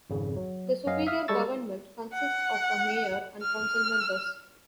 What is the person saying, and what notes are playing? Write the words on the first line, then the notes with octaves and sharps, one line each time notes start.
The Superior government consists of a mayor and council members.
G#1 F2 C#3
F#3
F#2 C#4 D#5 F5
E5 F5 D#6 F6
G3 G#3 A4 C#6 E6 A6
F#5
F6